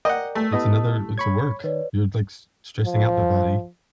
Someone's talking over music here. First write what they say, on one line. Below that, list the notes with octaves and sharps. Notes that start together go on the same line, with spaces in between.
it's another it's a work. You're, like, s stressing out their body,
A#4 D5 D#5 F#5 G5
A3
B3 E4 G4 D#5 A5 D#6
C#5 B5 C#6 G#6
D#3 B4 C#5 D5
F3